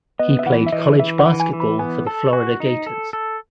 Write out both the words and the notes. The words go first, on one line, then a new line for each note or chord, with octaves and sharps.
He played college basketball for the Florida Gators.
B3 D#5
E5
E3 F#5
E5
E3 D#5
E3 E5
F#5
E3
G#5
E3
B5
B3 G#5
A4 A5
F#4 G#5
D#4
A4
A4